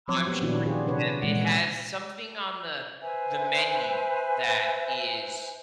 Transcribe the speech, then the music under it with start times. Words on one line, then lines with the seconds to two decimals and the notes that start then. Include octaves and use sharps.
I'm sure you have. It has something on the the menu that is
0.08 F3 F#3 C4 C#5
0.27 B3 G4
0.42 A#2 D#3 B3 D4 E4 F#4
0.66 D4 F4 G4 G#4 C#5
0.86 C3 D4 B4 C#5
1.22 A#2 C#3 E3 G#3 F#5
3.02 B4 C5 E5 G#5